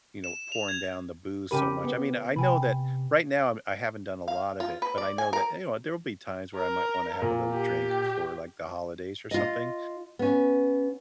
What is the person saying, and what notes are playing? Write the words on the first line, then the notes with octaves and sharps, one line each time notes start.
you know, pouring down the booze so much. I mean, I know that right now I haven't done a lot of it, but I know that, you know, there will be times where I might wanna have a little drink for, like, the holidays or something.
E7
F7
G#6
C#3 G4 A#4 B5 D#7
B3
C3 G5 G#5 B5
F5
F4
B4
D5
G#5
A#4
A#4
A#2
G4
F4 D#5
B3 C#4